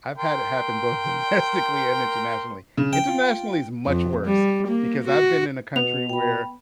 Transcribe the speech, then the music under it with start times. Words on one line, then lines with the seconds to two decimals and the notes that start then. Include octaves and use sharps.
I've had it happen both domestically and internationally. Internationally is much worse because I've been in a country where
0.18 A#4 G5 C6
2.77 C#3
2.93 G5
3.08 F4
3.85 F2
4.25 G3
4.67 A#3
5.07 F#4
5.76 B2 B3 F7
6.09 G5 B5